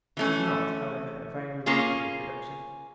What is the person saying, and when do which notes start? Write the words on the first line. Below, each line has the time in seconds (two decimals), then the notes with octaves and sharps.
It is not, however, a very remarkable production.
0.17 E3 A3 C#4
1.66 A#3 C#4 F4 G#4